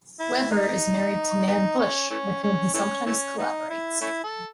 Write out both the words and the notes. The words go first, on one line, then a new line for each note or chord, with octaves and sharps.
Weber is married to Nan Bush, with whom he sometimes collaborates.
E4
D#4
B3 D#4
C#4
E3 A3 C#4
C#4
E3 A3 C#4
E3 A3 C#4
B3 D#4
E4
A3 C#4 E4
A4